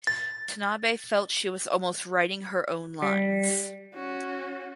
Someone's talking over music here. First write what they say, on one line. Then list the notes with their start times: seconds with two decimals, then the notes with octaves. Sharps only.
Tanabe felt she was almost "writing her own lines".
0.07 A6
3.02 G3
3.94 C#4 F#4